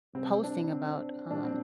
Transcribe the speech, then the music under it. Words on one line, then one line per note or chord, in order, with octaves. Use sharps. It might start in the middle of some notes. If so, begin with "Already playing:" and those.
posting about, um,
C3 G3 C4
D4
C4
A#2 G3 D4
C4